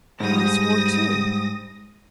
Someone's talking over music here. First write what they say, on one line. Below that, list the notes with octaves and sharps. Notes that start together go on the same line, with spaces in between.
I swore too.
G#2 G3 D#6 A#6